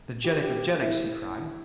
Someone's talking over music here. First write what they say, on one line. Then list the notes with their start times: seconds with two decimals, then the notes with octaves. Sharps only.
"The Jeddak of Jeddaks!" he cried.
0.24 G4
0.34 F#4
0.43 G4
0.82 E4